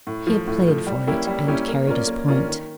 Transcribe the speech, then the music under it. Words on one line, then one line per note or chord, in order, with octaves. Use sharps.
He had played for it, and carried his point.
A2
F3 A3
A2
F3 A3
G3
A#3 C#4 E4 G4
G3
A#3 C#4 E4 G4
A#3
C#4 F4 A#4 D5
A#3
C#4 F4 A#4 D5
D#3